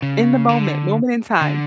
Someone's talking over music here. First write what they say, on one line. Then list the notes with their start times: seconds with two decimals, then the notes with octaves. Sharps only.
In the moment, moment in time.
0.02 C#3
0.49 D3
1.41 D3